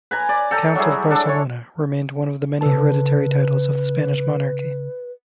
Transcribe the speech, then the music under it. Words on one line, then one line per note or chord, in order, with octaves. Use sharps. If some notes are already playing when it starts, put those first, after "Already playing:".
"Count of Barcelona" remained one of the many hereditary titles of the Spanish monarchy.
B4 G#5 A#5
D5
A4 G5 A#5
F#3 G3 E4 G#4
D4 A4
C#5
C#3 A4 B4 A5